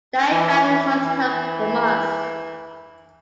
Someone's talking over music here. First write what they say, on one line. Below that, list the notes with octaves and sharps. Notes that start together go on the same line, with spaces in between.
Daifang sought help from us.
E3
E3
E3